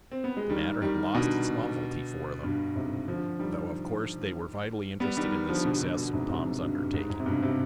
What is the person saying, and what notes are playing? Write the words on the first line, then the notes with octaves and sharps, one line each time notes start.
The matter had lost its novelty for them, though, of course, they were vitally interested in the success of Tom's undertaking.
C4
B3
G#3
D#3 G3
D#3 G3
B2 D3
G2 B2
G#2 C3
D3 F3
D#3 G3
G3 B3
D#3 G3
D3 F3
B2 D3
B2 D3
B2 D3
G#2 C3
G#2 C3
G2 B2
G2
G#2
G#2
C3
G2 B2
C3